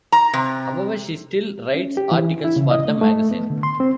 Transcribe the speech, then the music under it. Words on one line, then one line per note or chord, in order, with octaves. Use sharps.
However, she still writes articles for the magazine.
A#5
C3
C#4
G4
E3
E4
C#3
D#5
A3
A3
B3
D3
C6
C4